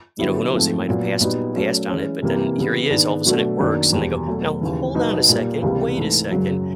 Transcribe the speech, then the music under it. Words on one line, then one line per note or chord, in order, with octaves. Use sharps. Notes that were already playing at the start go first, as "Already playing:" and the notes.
you know, who knows, they might have passed passed on it, but then here he is, all of a sudden, it works, and they go, "Now hold on a second, wait a second."
D3 F#3 B3 E4 G4
G#2 F3 A3 C4
A#2 F#3 B3
A#2 G3 B3 D#4 F#4
F#3 A3 C#4
E3 G#3 C#4
C3 E3 G3 A#3
C#3 E3 G3 B3
G#2 D#3 G#3 B3 D4
B2 F#3 A3 D4 F#4
F#2 D#3 F#3 A#3 D4
E2 B2 G3
B2 F#3 A3
D#2 C#3 E3
B2 F#3 B3 D#4
A#2 G3 A#3
C#2 C3 E3 G3 A#3
G#2 E3 A3
F#2 C#3 F#3